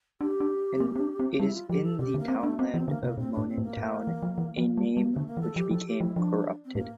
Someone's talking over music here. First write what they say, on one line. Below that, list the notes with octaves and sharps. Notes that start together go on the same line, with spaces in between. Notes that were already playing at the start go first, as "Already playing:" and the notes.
It is in the townland of Monintown, a name which became corrupted.
D4 G4
D4
A#3
C4
D4
C4
G3 E4
F4
F3 G4
A4
C3 G4
D3
A#3
C4
A3 D4
A#3 C4
D4
E3 C4
D3 A#3
C3 A#3
A#2 C4
A2 D4
C4
A2
A#3
A2
E3
F3
E3
F3
G3
G3 A#3
D3 A3
A#3
E3
A4
F3 G4
F3 A4
G4
F3 E4
F3 D4
C4
A2 A#3